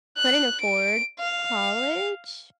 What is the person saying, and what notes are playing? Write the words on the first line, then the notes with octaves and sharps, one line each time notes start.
couldn't afford college,
F#6
D7
F5